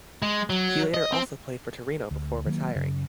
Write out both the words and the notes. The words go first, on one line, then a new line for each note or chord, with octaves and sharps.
He later also played for Torino before retiring.
G#3
F#3
D#5
C4
D2
D#3 F#3 A3 A#3
F#2 C#3